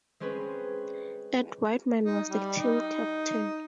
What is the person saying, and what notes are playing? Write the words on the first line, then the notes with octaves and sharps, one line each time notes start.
Ed Whiteman was the team captain.
G#3 C4 C#4 G#4 B4
D#4
G3
D#4